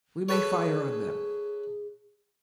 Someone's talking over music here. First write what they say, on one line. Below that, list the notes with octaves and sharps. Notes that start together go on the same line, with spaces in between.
We may fire on them.
G#4 A4 B4 C#5